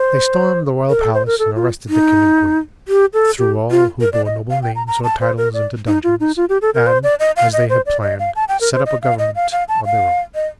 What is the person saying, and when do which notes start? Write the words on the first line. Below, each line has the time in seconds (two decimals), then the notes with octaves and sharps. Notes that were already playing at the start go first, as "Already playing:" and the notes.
They stormed the royal palace and arrested the king and queen, threw all who bore noble names or titles into dungeons, and, as they had planned, set up a government of their own.
Already playing: C5
0.89 A#4
1.01 A4
1.14 C5
1.26 A#4
1.39 A4
1.56 F4
1.89 D#4
2.88 G4
3.14 A4
3.39 G4
3.71 F4
4.00 A#4
4.13 D5
4.25 D#5
4.50 F5
4.63 G5
4.76 A#5
4.87 A#5
5.04 A5
5.21 C5
5.37 A#4
5.54 D5
5.87 D#4
6.03 F4
6.20 D#4
6.37 F4
6.49 G4
6.62 A4
6.74 A#4
6.87 C5
7.03 D5
7.20 D#5
7.36 F5
7.53 D#5
7.70 C5
7.86 D5
8.03 D#5
8.19 F5
8.36 A5
8.48 G5
8.61 A#4
8.74 C5
8.85 D#5
9.02 F5
9.19 D#5
9.35 F5
9.52 F5
9.68 A5
9.85 F5
10.35 D#5